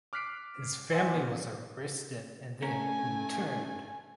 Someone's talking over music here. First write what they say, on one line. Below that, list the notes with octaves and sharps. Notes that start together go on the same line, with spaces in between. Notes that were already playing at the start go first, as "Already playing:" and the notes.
His family was arrested and then interned.
D6 F6 F#6 B6 C7 D7
C5 D#5 E5 F#5 G#5
B2
A3 C#4 A#4 G#5